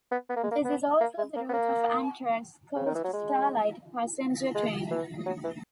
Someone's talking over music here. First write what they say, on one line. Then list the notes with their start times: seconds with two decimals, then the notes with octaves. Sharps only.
This is also the route of Amtrak's "Coast Starlight" passenger train.
0.12 B3
0.29 B3
0.36 A#3
0.44 G#3
0.51 A#3
0.65 B3
1.01 A#3
1.18 G#3
1.36 A#3
1.49 B3
1.53 A#3
2.76 C#3
2.86 D#3
2.95 E3
3.04 F#3
3.13 G#3
4.55 G#3
4.91 E3
5.26 F#3
5.44 E3